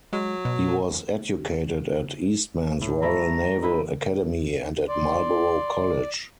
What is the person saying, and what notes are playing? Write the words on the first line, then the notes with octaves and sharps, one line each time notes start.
He was educated at Eastman's Royal Naval Academy and at Marlborough College.
F#3 G#3
B2
A2
G3 A3 E4 A#5
D#4 E4 B4
D5 C6